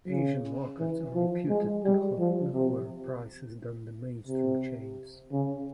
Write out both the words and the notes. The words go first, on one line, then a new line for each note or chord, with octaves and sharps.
Asian markets are reputed to have lower prices than the mainstream chains.
C#3
E3
F3
G#3
G3
F3
C3
C3
C#3